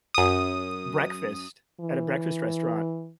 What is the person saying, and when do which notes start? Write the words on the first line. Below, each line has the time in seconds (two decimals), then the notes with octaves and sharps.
breakfast at a breakfast restaurant,
0.14 F#2 D#6
1.80 E3